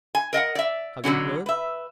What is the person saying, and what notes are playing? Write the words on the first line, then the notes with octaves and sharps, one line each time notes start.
Have you heard?
G#5
A#4 D#5 F5 F#5
D5 E5
B2 D3 F#3 C#4
B4 E5